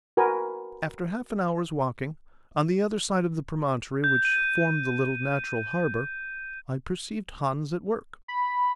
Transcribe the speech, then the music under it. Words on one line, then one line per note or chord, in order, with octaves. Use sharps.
After half an hour's walking, on the other side of the promontory which formed the little natural harbour, I perceived Hans at work.
F#4 A#4 B4 G#5
G6
D#7
B5